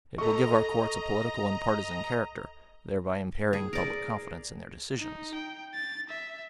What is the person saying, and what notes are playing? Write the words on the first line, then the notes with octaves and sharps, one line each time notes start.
It will give our courts a political and partisan character, thereby impairing public confidence in their decisions.
A4 D#5 A#5 C#6
G#4
A#4 D5
D#4
G5
A6
E5